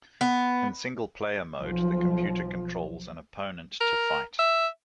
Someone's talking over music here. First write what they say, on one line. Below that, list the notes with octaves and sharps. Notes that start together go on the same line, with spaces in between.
In single-player mode, the computer controls an opponent to fight.
B3
B1 F3
A#4
E5